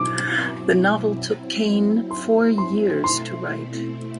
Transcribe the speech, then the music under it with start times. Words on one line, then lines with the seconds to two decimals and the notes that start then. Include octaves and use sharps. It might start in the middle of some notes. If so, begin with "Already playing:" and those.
The novel took Cain four years to write.
Already playing: B2 F#3 C4 E4 D6
1.18 F#3 C4 E4
2.11 C6
2.58 C6
3.04 B2 A3 C4 E4 C6